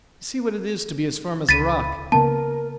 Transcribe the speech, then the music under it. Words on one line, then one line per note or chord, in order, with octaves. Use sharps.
You see what it is to be as firm as a rock!
C#2 B5 A6 B6 D#7
C#3 A#3 B3 A#4 A5